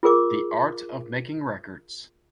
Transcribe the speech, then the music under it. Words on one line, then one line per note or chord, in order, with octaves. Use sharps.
The Art Of Making Records.
F4 G#4 A#4 D6